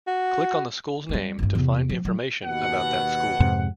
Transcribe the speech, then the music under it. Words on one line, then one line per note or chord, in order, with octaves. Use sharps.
Click on a school's name to find information about that school.
F#4
G3 A3
A1 G2
E2 C3
F3
F#3
D#2 B2 F#5
F2 G#2 C3